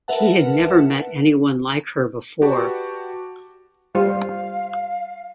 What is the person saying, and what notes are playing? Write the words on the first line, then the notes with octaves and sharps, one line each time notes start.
He had never met any one like her before.
A#4 B4 E5 F#5 A5
F#4 G4 B4 D5 A5 C#6
G3 F4 C5 F5